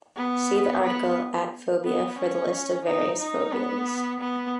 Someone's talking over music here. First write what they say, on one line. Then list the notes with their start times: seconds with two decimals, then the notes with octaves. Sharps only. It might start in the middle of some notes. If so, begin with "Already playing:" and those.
See the article at -phobia for the list of various phobias.
0.16 B3
0.84 B3
1.84 B3
2.18 C#4
2.85 D#4
3.19 D#4
3.52 B3
4.20 B3